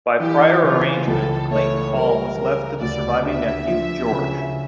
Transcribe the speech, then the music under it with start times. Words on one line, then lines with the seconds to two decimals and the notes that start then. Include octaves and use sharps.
By prior arrangement, Clayton Hall was left to the surviving nephew, George.
0.20 E3 G4
0.64 C#3 F4
1.07 C#2 A4
1.50 A3 C#5
1.94 G3 A#4
2.38 C#3 A#4
2.81 D2 D5
3.24 D4 E5
3.67 F3
4.12 C#3